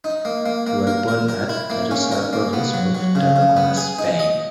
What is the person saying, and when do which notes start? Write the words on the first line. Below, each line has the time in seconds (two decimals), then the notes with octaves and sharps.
He was born at Tortosa, province of Tarragona, Spain.
0.04 D#4
0.25 A#3
0.46 A#3
0.67 A#3
0.87 A#4
1.08 A#4
1.28 A#4
1.49 E4
1.70 A#3
1.91 C#4
2.12 A#4
2.33 A#3
2.53 B3
2.74 F#3
2.95 F#3
3.15 C#3
3.36 C#3
3.57 B3
3.77 G#4
3.99 D#4
4.19 D#5